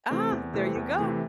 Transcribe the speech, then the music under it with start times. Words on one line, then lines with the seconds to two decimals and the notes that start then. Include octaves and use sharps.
Ah, there you go!
0.10 C3 E3 A3 C4
0.32 E2
0.54 C3 E3 A3 C4
0.75 E2
0.98 C3 E3 A3 C4